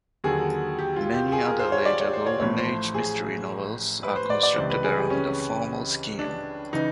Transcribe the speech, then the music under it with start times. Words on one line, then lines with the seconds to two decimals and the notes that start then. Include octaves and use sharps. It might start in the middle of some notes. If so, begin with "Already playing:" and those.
Many other later Golden Age mystery novels are constructed around a formal scheme.
0.24 D#2 D3 F#3 G#4
0.79 G4
0.96 F4
1.14 G4
1.32 G#4
1.45 A#4
1.59 C5
1.72 C#5
1.86 D5
2.00 C#5
2.13 C5
2.26 C#5
2.40 A1 A2 F3 C#5
2.58 C5
2.94 G#4
4.03 B4
4.16 C5
4.30 D5
4.43 D5
4.56 C#2 C3 E3 C5
4.70 B4
4.84 G#4
4.97 G4
5.10 C#4
6.19 D4
6.73 C#3 E3 D#4